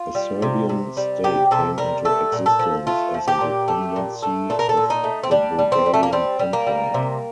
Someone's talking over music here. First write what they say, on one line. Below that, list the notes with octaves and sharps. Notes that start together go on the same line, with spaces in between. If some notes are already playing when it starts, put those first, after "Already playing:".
A Serbian state came into existence as a dependency of the Bulgarian Empire.
Already playing: F4
G3
C3
C3
G3
C3 G4
C3 A4
G3 A#4
A3 A4
A#2
A4
F3
A3 F4
F3
G4
A#2
A3
A#2
A3
A#2 A4
A#4
A4
A#2
D#4
A3
C4
G3 D4
G3
C4
G3
A3
A#3
G3 C4
G3
A#3
G3
C3